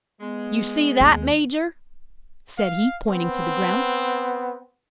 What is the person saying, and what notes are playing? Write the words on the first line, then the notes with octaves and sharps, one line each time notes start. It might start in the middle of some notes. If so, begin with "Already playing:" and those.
"You see that, major?" said he, pointing to the ground.
G#3 B3
D#2
F5
B3 C4